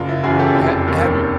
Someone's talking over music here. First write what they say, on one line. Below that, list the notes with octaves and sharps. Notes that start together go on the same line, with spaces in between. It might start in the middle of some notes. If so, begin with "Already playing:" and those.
ha have you
Already playing: F#1 F4
E4
F#2 C#3 E3 F#4 G#4
G4 A4
F1
D#2 D#3